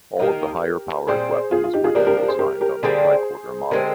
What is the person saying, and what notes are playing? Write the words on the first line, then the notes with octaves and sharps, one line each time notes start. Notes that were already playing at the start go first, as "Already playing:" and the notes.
All of the higher-powered weapons were then designed on the tricorder model.
D#3 A#3 D#4 G4 A#4
A#2 G3 C4 G#4 C5
F4 G#4
F4
D#4 G4
F4 G#4
F3 A#3 D4 G4 A#4
G4 A#4
G4 A#4
G#4 C5
G4 A#4
G4 A#4
D3 G3 A#3 D4 G#4 C5
D3 G#3 C4 G4 A#4